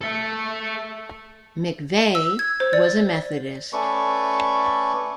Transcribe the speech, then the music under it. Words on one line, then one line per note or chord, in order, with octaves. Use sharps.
MacVeagh was a Methodist.
A4 E5
E6
G#6
C5
D5
A3 C#4 A4 B4 D5 C#6